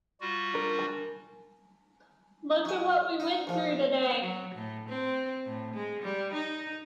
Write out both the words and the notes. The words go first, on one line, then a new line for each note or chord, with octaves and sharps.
Look at what we went through today.
G3 F4 F#4
D4 A#4
F#3 G#5
D#4
A#1 F3
F#3
A2
C4
A2
G#3
G3
D#4